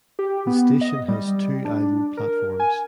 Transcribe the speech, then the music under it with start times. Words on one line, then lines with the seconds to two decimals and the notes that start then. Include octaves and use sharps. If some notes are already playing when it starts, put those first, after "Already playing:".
The station has two island platforms.
0.19 G4
0.47 B3
0.81 D#5
1.08 G3
1.65 D4
2.17 A#4
2.60 G#5